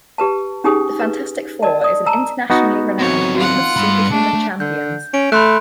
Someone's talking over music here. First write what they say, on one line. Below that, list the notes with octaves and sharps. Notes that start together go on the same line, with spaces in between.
The Fantastic Four is an internationally renowned group of superhuman champions.
G4 B4 A5
C#4 D#4 G4 G#4 G#5 D#6
B4
A#4 D5 D#5 A5
D5 D#6
A5 A#5 E6
B3 D#4 F#4
F#3 C4 C#5
F4 F#5
G2 B5
A3 D4
D3 G6
C#4 D7
A3 B5 C6 F#6